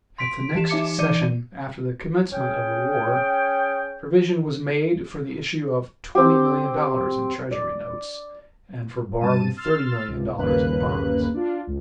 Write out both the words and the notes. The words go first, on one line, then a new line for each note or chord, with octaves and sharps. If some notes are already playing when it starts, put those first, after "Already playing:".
At the next session, after the commencement of the war, provision was made for the issue of twenty million dollars in Treasury notes, and for borrowing thirty million dollars in bonds.
C6 B6 D7
E3 G4 E7
D#4 E5 D6 C#7
E3 D5 D6 G6 D#7
C#4 G#4 G5
C4 G4
D5
G2 C3 A5 D#7
C6 E6 F6 A6
C#2 C3
G1 D#2 C#3 A#3 B4 F#6
D4 F4
C#2